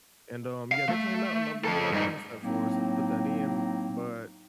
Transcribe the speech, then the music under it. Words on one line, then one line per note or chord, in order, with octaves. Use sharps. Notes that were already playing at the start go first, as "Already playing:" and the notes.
and, um, yeah, they came out and upgraded our thermostat for us and put that in, but,
F5
A3
F3 A4
G2 D#4
A2 F#3 A#3 C4 D#4